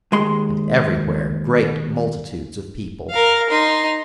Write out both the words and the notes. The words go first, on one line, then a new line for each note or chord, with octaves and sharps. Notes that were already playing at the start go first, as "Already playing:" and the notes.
And everywhere great multitudes of people.
D#2 G#3 C6
A#4 F5
D#4 C6